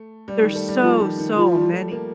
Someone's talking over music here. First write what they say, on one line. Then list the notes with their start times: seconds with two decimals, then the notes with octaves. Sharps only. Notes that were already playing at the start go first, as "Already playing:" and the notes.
There's so, so many
Already playing: A3
0.28 G3
0.41 D#3
0.51 G3
0.55 A3
0.69 G3
0.82 F3 F4
1.00 D#3
1.19 D#3
1.37 F3 F4
1.55 G3
1.73 A3
1.91 A#3